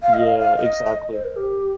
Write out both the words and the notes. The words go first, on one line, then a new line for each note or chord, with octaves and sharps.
Yeah, exactly.
F5
D#5
F5
F5
D#5
C5
A#4
G4